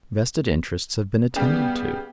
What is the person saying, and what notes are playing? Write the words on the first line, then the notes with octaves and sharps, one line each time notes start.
Vested interests have been attended to.
C#3 G3 B3 G4